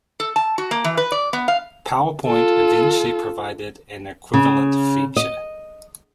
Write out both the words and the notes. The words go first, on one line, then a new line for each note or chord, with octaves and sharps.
PowerPoint eventually provided an equivalent feature.
A4
A5
F#4
A#3
E3
B4
D5
B3
F5
F4 A4
C#3
D#5